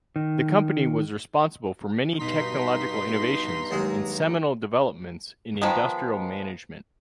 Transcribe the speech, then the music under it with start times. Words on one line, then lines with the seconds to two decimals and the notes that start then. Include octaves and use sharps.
The company was responsible for many technological innovations and seminal developments in industrial management.
0.16 D#3
2.20 G2 B2 D#4 A#5 C6 B6
3.71 D#2 F#3 G#3
5.62 D#3 F3 G#3 B3